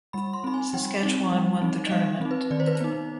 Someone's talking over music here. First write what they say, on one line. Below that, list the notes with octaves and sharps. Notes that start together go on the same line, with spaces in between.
Saskatchewan won the tournament.
G3 B5
C6
C4 D#4 B5
G#5
G3 G5
C4 D#4
G3
C4 D#4
D#5
G3 F5
C4 D#4
B4
D#3 D5
C5
B4
C5
B3 D#4